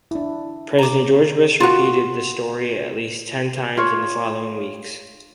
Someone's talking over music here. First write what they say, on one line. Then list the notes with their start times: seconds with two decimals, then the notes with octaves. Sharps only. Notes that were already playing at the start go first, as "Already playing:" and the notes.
President George Bush repeated the story at least ten times in the following weeks.
0.11 D4 E4
0.79 A#5 D6
1.60 F4 F#4
3.77 F4 C#5